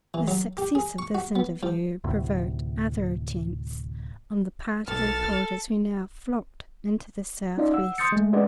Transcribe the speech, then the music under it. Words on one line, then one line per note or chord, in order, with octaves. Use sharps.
The success of this interview provoked other attempts on the part of the reporters who now flocked into the Southwest.
E3
F#3
G4
G#4
C#6
F#4
B3
F3
D2 A2 C3
B1 A4 F6 A6
C#4 D#4 F4 D5 D#5 F5
F#5 E6
C6 D#6 G6 A6 C#7
G#3 A3
G#3 C#4 D4 B4 D5 F#5